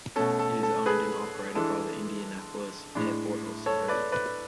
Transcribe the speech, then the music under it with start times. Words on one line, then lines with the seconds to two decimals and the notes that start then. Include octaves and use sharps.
It is owned and operated by the Indianapolis Airport Authority.
0.16 B2 A3 C#4 A4
0.39 A4
0.63 A4
0.86 G#4 B4
1.55 E3 G#3 D4 A4
2.95 A2 G#3 D4
3.66 A4 C#5
3.88 B4 D5
4.12 B4 D5